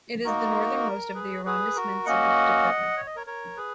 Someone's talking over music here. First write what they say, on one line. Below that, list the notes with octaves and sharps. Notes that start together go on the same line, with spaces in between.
It is the northernmost of the arrondissements of the department.
A#3 D#4 F#4 A#4
G#4 B4
G#4 B4
F#4 A#4
A#3 C#4 F#4 D#5 F#5
C#5
D#5
A#4 C#5
A#4 C#5
G#4 B4